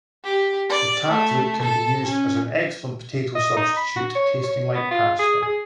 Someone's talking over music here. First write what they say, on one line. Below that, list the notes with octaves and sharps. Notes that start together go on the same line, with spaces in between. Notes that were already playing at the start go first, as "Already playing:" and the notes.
The tap root can be used as an excellent potato substitute, tasting like pasta.
G4
D5
A3
A4
C#4
D#5
D#4
B5
F#4
C#5
C#5
B3
F4
G#4
G#4